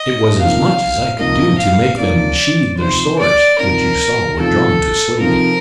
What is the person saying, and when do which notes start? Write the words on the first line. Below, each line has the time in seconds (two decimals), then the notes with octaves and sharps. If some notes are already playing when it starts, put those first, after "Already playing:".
It was as much as I could do to make them sheath their swords, which you saw were drawn to slay me.
Already playing: D#5
0.39 C3 F3 A#3 D#4 F5
1.19 C3 F3 A#3 D#4 D#5
1.59 F5
1.99 C3 F3 A#3 D#4 D5
2.78 C3 F3 C4 D#4 C5
3.19 D5
3.59 C3 F3 C4 D#4 A#4
4.39 C3 F3 C4 D#4 A4
5.18 C3 F3 C4 D#4 A#4